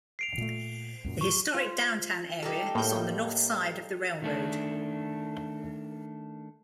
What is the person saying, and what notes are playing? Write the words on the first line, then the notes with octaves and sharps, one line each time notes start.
The historic downtown area is on the north side of the railroad.
C7 D7 F7
A#2 A3
C#2 F#2 A#2
C#6 G7
F4 C5
G3 D#4 A4
A2 A#3 G6
D#3 A3 D4